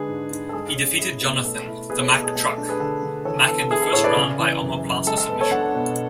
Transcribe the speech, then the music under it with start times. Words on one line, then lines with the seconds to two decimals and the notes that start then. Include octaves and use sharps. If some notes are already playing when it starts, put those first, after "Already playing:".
He defeated Jonathon "the Mack Truck" Mack in the first round by omoplata submission.
Already playing: D3 G#3 D4 G#4 B4
0.09 G#2
0.31 G#2
0.49 A4
0.53 G#3 G#4
0.76 C#4
0.99 E4 G#4
1.21 B2
1.44 A3 A4
1.67 E4
1.90 B2 G#4 B4
2.00 A4 C#5
2.12 B2 A4
2.24 G#4
2.36 A3 A4
2.47 A4
2.58 D4
2.69 G#4 B4
2.80 D3 A4
3.03 D3
3.25 E3 A4 C#5
3.48 B3 A4
3.71 E4 G#4
3.82 A4
3.93 A2 A4 C#5
4.04 B4 D5
4.16 C#3
4.39 E3
4.61 F#2
4.84 F#2
5.07 G#3 A4
5.18 A4
5.30 B3
5.41 A4 C#5
5.51 D4 F#5 A5
5.75 B2